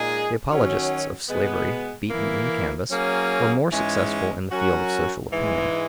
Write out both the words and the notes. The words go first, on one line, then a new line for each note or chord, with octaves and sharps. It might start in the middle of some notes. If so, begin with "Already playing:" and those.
The apologists of slavery, beaten in the canvass, were more successful in the field of social opinion.
Already playing: A#2 G#3 D#4 G#4
D#3 F#3 C#4 F#4
B2 G#3 B3
E3 A#3 E4
F#3 A#3 C#4 G#4
G#2 E3 G#3 C#4
F#3 C#4 F#4 A#4
G#2 E3 G#3